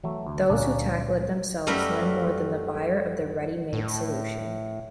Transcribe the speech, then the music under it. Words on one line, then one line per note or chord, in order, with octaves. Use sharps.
Those who tackle it themselves learn more than the buyer of the ready-made solution.
E3 F#3 A3
D2
C#2 A#2 D3 A#3 C#4 D4
F#2 G3 A3 A#4 B4 E5
A2